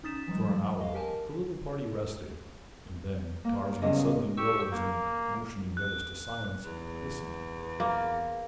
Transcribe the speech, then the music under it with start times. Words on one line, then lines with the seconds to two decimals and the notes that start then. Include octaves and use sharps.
For an hour the little party rested and then Tarzan suddenly rose and, motioning the others to silence, listened.
0.03 C#4 D#4 D#6 A6 B6 E7
0.28 E3 F#3 G#3
0.81 D#5 F5
0.94 G4 A#4 G#5 A5
3.44 A#3
3.82 E2 G2 C#3 D#5
4.37 G4 C#6 E6
4.71 A#3
5.77 F#6
6.65 E2
7.80 A#3